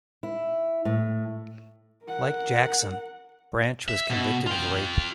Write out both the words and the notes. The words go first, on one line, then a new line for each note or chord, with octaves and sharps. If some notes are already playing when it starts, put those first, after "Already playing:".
Like Jackson, Branch was convicted of rape.
E4
A2
A#4 F#5
E5
B2
F4 G5